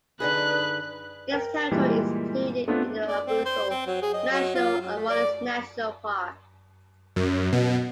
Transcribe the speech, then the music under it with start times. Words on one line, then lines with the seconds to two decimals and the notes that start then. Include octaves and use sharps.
Its territory is included in the Abruzzo, Lazio and Molise National Park.
0.20 D3 D#4 G#4 B4 F#6
1.32 A#4 G5
1.71 A#2 E3 G3 G#3 A#3 G4
2.68 A3 B3 C4 D4 F4
3.07 D5
3.27 C4
3.45 C5
3.70 C4
3.87 F#3
4.02 G#4
4.14 D#5
4.31 F#3
4.55 F4
4.81 F#3
4.96 A3
5.09 D5
7.16 F#2
7.52 B2